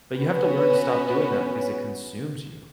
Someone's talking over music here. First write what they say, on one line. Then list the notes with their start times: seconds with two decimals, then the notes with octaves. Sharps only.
But you have to learn to stop doing that because it consumes you.
0.17 B3 C#4 F#4 B4